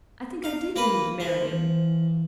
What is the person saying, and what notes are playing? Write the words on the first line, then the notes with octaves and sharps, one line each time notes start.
I think I did mean to marry him.
F5
A#3 B4
F3 C5
E3